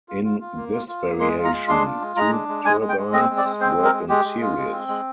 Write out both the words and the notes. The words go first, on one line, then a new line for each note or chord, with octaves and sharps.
In this variation, two turbines work in series.
F4
F4
F4
A#3
F4
F4
A#3
G#3 C6
F4
A#5
G#3
D4 C6
F4
G#3
G#3 A#5
D4
G#3
G#3 G#5
G#3
G5
G#3
C4 D#5
G#3
D5
G#3
C4 C5
G#3
A#4
G#3
G#3 G4
G#3
F4
G#3
C4
G#3